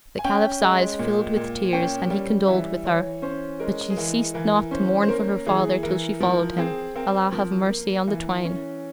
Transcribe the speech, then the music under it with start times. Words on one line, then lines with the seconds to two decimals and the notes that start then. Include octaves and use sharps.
The Caliph's eyes filled with tears and he condoled with her; but she ceased not to mourn for her father, till she followed him--Allah have mercy on the twain!
0.19 G#5
0.24 C#4 G5
0.61 G#3
0.99 A#2
1.36 A#2
1.73 C#4 G5
2.10 G3
2.48 E3 E5
2.85 E3 C#5
3.22 C#4 C5
3.60 G#3 A#4
3.90 G#4
3.97 E3 A#4
4.34 E3 A#4
4.71 C#4 C5
5.02 C5
5.08 A#3 A#4
5.46 E3 G#4
5.83 E3 A#4
6.20 F3 A#4
6.58 C4 G#4
6.95 C4 A#4
7.32 F3 A#4
7.70 A#3
8.07 E3
8.45 C#4